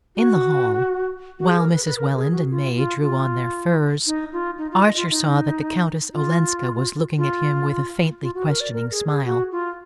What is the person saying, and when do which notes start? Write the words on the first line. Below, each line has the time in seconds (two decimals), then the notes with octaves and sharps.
In the hall, while Mrs. Welland and May drew on their furs, Archer saw that the Countess Olenska was looking at him with a faintly questioning smile.
0.16 F#4
1.39 F#4
1.47 G#4
1.59 A#4
1.73 B4
1.85 B4
1.98 A#4
2.16 G#4
2.32 F#4
2.51 F4
2.76 F4
3.01 F#4
3.05 F4
4.07 D#4
4.33 F4
4.58 D#4
4.72 F4
4.83 D#5
4.97 F4
5.10 D#4
6.13 F4
7.18 F4
8.22 F4
8.35 F#4
8.48 A#4
8.60 D5
8.74 A#4
8.91 G#4
9.08 G#4
9.25 F#4
9.52 F4